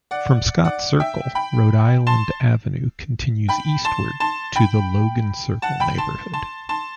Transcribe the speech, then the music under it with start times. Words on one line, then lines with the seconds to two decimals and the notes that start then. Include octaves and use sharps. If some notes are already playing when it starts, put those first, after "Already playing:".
From Scott Circle, Rhode Island Avenue continues eastward to the Logan Circle neighborhood.
0.11 D5 F#5
0.64 D5 F#5
1.00 E5 G5
1.35 G5 B5
2.07 A5 C6
3.49 G5 B5
3.85 A5 C6
4.20 A5 C6
4.56 G5 B5
5.62 F#5 A5
5.80 G5 B5
5.98 A5 C6
6.33 A5 C6
6.69 A5 C6